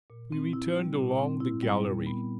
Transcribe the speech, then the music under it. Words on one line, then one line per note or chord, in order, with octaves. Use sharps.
We returned along the gallery.
A#2
C4
E4
G3
A#2
C4
E4
G3
A#2
B3